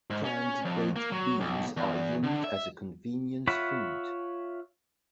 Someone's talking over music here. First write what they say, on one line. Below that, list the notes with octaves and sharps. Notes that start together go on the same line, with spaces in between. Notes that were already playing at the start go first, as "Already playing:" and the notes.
Canned baked beans are used as a convenience food.
G#2
C#4
F2
A#3
F#3
B1
E2
D3
E5
F4 C#5 E5 F#5 B5